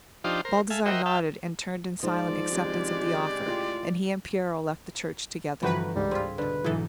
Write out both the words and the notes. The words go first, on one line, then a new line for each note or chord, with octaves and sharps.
Baldassarre nodded, and turned in silent acceptance of the offer, and he and Piero left the church together.
F3 D4 D#4 F4 G4 C5
A#4 C5
A4 E5 F5 G#5
F#4 A#4 C5 D#5 E5 G5
E5 F5 G5 A5
G#2 F3 D5
G#1 C#3 G#3 G4
A2 F4 G5
G1 E3 F3 F#4 B4 G5 A#5
C#2 G#2 G3
C4 F4 G#4 B6
B2 D3 B4
B1 G#2 E3 G#4 A4